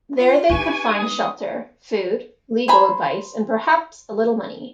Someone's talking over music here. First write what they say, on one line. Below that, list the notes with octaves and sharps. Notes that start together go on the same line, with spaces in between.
There they could find shelter, food, legal advice and perhaps a little money.
F4
D4 D#4 G4 B4 G#5 C#6
G#3 B3 D#6
C5 G#5 A#5 B5